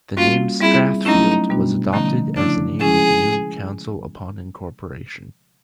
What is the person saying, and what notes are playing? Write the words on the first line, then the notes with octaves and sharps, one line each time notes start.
The name "Strathfield" was adopted as the name of the new council upon incorporation.
G3 A#3 C#4 F4 F#4
G3 C4 E4 F4 G#4
F#3 A3 C#4 D#4 E4
B2 G3 B3 D4 F#4
D3 F3 A3 C#4 D#4
C#3 F3 A3 C#4 D4 E4
F3 G#3 C#4 E4 G#4